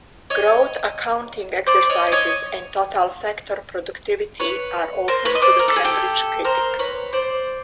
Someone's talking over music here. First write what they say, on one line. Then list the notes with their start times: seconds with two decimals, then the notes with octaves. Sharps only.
Growth accounting exercises and Total Factor Productivity are open to the Cambridge Critique.
0.30 C#5 D#5
1.67 C5 D5
1.89 C#5 D#5
2.12 C#5 D#5
4.40 B4 C#5
5.08 A#4 C5
5.25 B4 C#5
5.35 D#5
5.42 C5 D5
5.59 A#4
5.68 A4
5.76 G#4
5.84 G4 A4
6.45 A#4 C5
6.79 B4 C#5
7.13 C5 D5